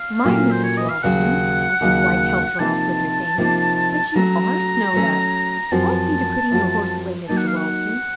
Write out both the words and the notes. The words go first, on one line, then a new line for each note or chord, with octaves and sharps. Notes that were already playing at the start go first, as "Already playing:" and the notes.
My, Mrs. Ralston," as his wife helped her off with her things, "but you are snowed up! I'll see to putting your horse away, Mr. Ralston.
Already playing: F5
A#2 F#3 A3 C#4
C5
C#5
D#5
F5
D#2 C#3 F#3 F#5
D#2 C#3 F#3
C3 F3 A#3 D#4 A5
C3 F3 A#3 D#4
F#3 A3 C#4 A#5
F#3 A3 C#4
F#2 F3 C4 F#4 A5
F#2 F3 C4 F#4
F#3 A#3 D#4 A5
F#5
F5
F#5